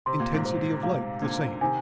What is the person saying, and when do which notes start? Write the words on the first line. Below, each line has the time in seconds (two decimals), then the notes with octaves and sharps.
Intensity of light the same.
0.06 C3 C6
0.20 A#2
0.34 G#2 C3
0.45 C5
0.83 G#2 C3 F5
1.22 A#2 D3 C5
1.61 C3 D#3 G#5